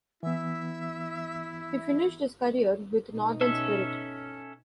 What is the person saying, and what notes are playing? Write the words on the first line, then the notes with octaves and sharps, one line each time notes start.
He finished his career with Northern Spirit.
E3 B3 E4 E5
B2 D#4
C#4 A4 E5